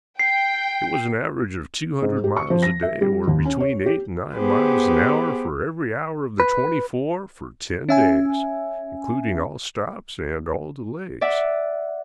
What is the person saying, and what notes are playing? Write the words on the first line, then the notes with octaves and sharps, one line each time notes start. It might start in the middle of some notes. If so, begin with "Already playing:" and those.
It was an average of two hundred miles a day, or between eight and nine miles an hour for every hour of the twenty-four for ten days, including all stops and all delays.
G5 C7
G#2
G4
C#6
F3
A#6
E5
G3
D#2
C#4
C#5
G4
B3 G4 G#4 B4 C5
B4
C#4 E5 G#5
D5 E5 F#5